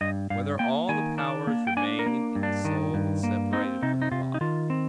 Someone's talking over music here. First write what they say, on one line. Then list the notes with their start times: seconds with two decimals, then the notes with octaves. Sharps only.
Whether All the Powers Remain in the Soul When Separated from the Body?
0.01 G2 D#5
0.30 G2 F5
0.59 A#3 G5
0.89 D#3 G#5
1.18 D4
1.47 A#3
1.67 G5
1.77 D4 G#5
1.99 A#4
2.06 A#3
2.35 G2
2.43 D4
2.65 D#3
2.94 G2
3.23 A#3
3.53 C4 D#4
3.82 C3 D#4
4.02 D#4
4.12 C3 F4
4.34 D#4
4.41 D#3 F4
4.70 C4